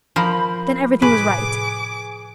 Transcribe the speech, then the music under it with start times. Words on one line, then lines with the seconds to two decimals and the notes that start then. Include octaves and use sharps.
Then everything was right.
0.16 F3 A#4 B5 G6
1.02 A2 C3 G#4 B4 D6